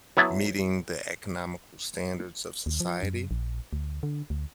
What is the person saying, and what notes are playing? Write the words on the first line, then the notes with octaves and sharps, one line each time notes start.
meeting the economical standards of society,
F#3 B3 E4 A5
D#2
F3
F#2
A#1
D2
D3
D2